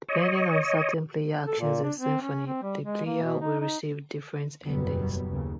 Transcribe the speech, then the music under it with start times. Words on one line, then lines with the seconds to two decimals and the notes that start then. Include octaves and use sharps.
Depending on certain player actions in Symphony, the player will receive different endings.
0.09 C#5 D#5
1.46 A4
1.60 A#2
1.83 D4
1.99 C4
2.22 C#4
2.46 C4
2.62 G3
2.83 G#3
3.05 A#3
3.22 B2
3.41 D#4
3.60 D#4
4.64 F#1 E2 B2 F#3 G3 B3
5.29 D#2 C#3